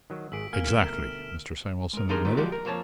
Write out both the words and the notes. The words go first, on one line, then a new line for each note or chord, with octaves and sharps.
"Exactly!" Mr. Samuelson admitted.
D#3 F#3
G#1 G#4 E6 B6 D7
A#3 G#5 F6
D2 B2 A3 F6 E7
A#4
G#3 A#4
D#2 D4 D#4 G#4 A#4 C6
G2 A#2 D3 D#3 G3
F3 F#3 G#3 F#4 G4 D5
A#4
F2 A#3 C5 C#5 A5